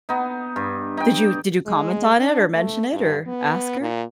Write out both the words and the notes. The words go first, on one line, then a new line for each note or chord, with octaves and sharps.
Did you did you comment on it, or mention it, or ask her?
B3 D#4
G2
D#4 G5
G#3
D4
A3
G2
B3
A#2